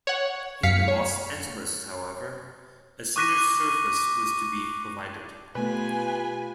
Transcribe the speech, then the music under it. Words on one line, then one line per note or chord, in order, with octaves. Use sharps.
In Los Angeles, however, a cinder surface was to be provided.
C#5 F#5
F#2 F5 B6 C#7
C#5
C#6 D6 F#6 A#6 B6 D#7
B2 A3 B3 F4 G4 B4 G#5